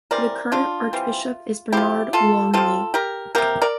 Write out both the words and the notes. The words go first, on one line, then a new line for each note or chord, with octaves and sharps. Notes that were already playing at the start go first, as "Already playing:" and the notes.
The current Archbishop is Bernard Longley.
E3 G3 C4 A#4 D5
D4 F4
E3 G3 C4
F3 C4 E4 G4
F4 A4
F3 C4 F4 A4
G4 A#4
C3 F3 A#3 G4 A#4
A#4 D5